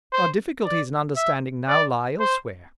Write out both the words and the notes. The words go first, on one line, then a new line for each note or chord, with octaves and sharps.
Our difficulties in understanding now lie elsewhere.
C5
D5
E5
D5
C5